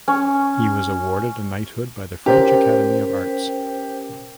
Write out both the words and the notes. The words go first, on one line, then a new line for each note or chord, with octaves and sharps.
He was awarded a knighthood by the French Academy of Arts.
C#4
C#4 G4 A#4 C5